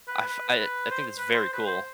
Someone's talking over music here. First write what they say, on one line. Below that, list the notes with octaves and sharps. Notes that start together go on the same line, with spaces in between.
I f I, uh I think it's very cool.
B4
B4
B4
C5
B4
C5
B4
C5